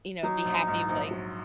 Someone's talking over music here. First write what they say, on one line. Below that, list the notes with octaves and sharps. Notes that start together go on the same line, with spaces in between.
you know, be happy with, like,
F#3 D#4
A#1
G#2
A#1
F#3